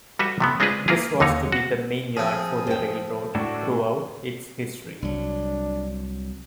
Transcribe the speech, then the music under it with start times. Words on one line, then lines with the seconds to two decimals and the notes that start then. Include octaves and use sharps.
This was to be the main yard for the railroad throughout its history.
0.19 G3 F#4 A4 B4 E5
0.40 C3 A3 B3
0.60 G#3 C4 D4 F4 G#4 B4
0.88 A#3 E4 F4 G#4
1.20 D#2 D3 D#4 C#5
1.52 F#4
2.17 F3 C4 G#4
2.67 C5 G5
3.35 A2 A3 D4 F#4
5.02 C2 F#3 D4